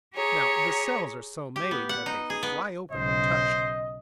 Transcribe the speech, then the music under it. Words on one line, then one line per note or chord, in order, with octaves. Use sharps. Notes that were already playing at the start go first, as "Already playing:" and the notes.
Now the cells are so made that they fly open when touched.
G4 G#4 C#5 A#5
G4
B3
F#5
D#4
G#4
B3
B1 C#3 C5 D#5